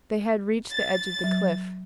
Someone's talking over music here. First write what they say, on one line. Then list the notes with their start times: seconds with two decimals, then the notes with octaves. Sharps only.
They had reached the edge of the cliff.
0.72 A6
1.24 F#3